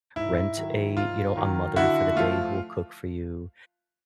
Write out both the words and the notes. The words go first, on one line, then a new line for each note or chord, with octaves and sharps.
rent-a you know, a-mother-for-the-day-who-will-cook-for-you,
G#2 E4
D#3 F#3
G#2 F4
D#3 F#3
D3 E4 F#4
F3 A3 F4